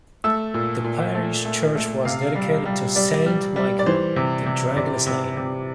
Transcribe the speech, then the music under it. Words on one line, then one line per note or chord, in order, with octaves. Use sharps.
The parish church was dedicated to Saint Michael, the dragon slayer.
A3 E6
A#2
A#2
A3
A3
A3
C3 F5
G3
G3
G3 D5
G3
G3
D5
E3 C5
C3
C3
C3 D5
C3
C3